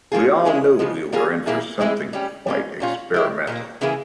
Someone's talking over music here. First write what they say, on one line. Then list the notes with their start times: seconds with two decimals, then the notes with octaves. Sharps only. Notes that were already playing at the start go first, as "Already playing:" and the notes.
We all knew we were in for something quite experimental.
0.12 F3 A#3 F4 G#4
0.45 E3 G#3 C#4 E4 G#4
0.79 C#3 F3 G#3
1.12 G3 A#3 F4 G#4
1.46 A#2 G3 A#3 E4 G#4
1.80 E3 G#3 C4 E4 G#4
2.13 G3 C#4 G4
2.47 G3 A#3 C#4
2.80 A#2 G3 C#4 F4
3.14 G#3 E4 G4
3.47 A#2 G3
3.52 A#3
3.81 C#3 E3 A#3 E4 G#4